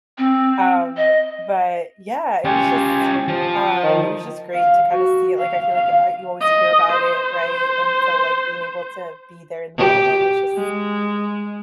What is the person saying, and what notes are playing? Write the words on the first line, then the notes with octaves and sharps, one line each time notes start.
Um, but yeah, it was just, uh, it was just great to kinda see it, like, I feel like I you always hear about it, right, and so, like, being able to be there in the moment was just
C4
D#5
C#4 F4 G4
F3
D#3
F5
F#4
F5
F5
D#5
C5
G4
G#3